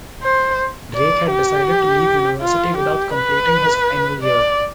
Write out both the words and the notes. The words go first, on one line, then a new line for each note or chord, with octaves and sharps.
Drake had decided to leave university without completing his final year.
C5
D5
G4
F4
G4
B4
D5